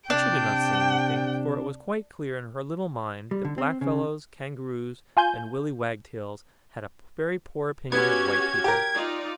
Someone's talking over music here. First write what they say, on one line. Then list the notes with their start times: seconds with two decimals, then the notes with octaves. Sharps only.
But she did not say anything, for it was quite clear in her little mind that Blackfellows, kangaroos, and willy wagtails had a very poor opinion of white people.
0.10 C3 D4 G5
3.31 G3
3.45 D3
3.58 C4
3.81 C#3
5.17 F4 G#5 G6
7.92 B3 C#4 F#4 G4 G#6
8.64 G4 A#4
8.93 D#4 F4 D5